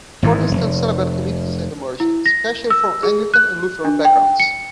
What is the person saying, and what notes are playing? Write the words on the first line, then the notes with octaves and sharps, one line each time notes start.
Protestant celibate communities have emerged, especially from Anglican and Lutheran backgrounds.
G#1 G#2 E3
F1
E4
A#6
E6
G#4
F#6
D4
G5
C#7